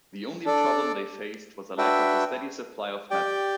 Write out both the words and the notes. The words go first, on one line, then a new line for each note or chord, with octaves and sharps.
The only problem they faced was a lack of a steady supply of metal.
D4 A4 D5
D4 F#4 B4 E5 G5
G4 D5 G5